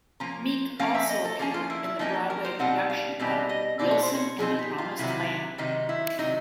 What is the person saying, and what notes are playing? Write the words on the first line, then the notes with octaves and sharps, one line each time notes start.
Meek also appeared in the Broadway production of "Wilson in the Promised Land".
F3 A#3 C#4 A#5
F3 A#3 C#4 F5
E5
D#5
A4
F3 A#3 C#4 G#4
F4
E4
E4
F3 A#3 C#4 D#4
A#4
C5
B2 G3 C4 D#4 F#5
F5
B2 G3 C4 D#4
D#5
B2 G3 C4 D#4 D5
C#5
C5
C#5
B2 G3 C4 D#4 G#4
G4
F4
C3 D#3 F#3 E4
C3 D#3 F#3 D#4
E4
C3 D#3 F#3 D#4